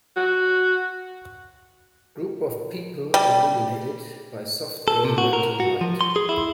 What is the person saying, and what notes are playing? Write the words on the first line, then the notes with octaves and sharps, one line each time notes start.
Group of people illuminated by soft oil lantern light.
F#4
G3
A4
C3
F#4
A#4
F#4
F3
C6
G#4
E4